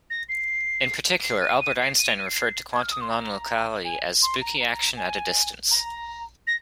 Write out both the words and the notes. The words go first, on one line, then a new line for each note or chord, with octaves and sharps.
In particular, Albert Einstein referred to quantum nonlocality as "spooky action at a distance".
A#6
C7
C7
D#7
D#7
C7
D#7
F7
D#7
C7
G#6
F6
D#6
C6
A#5
G#5
C6
A#5
A#5
G#5
A#5
A#6